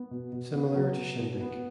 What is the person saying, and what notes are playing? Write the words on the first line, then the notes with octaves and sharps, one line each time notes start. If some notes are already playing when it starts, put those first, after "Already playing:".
Similar to Shindig!
Already playing: B3
B2
B2
B3
F#3
B3
B2
B3